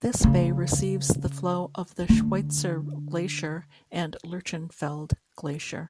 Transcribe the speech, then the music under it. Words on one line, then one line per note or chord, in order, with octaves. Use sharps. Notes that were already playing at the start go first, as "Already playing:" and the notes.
This bay receives the flow of the Schweitzer Glacier and Lerchenfeld Glacier.
C#3
D3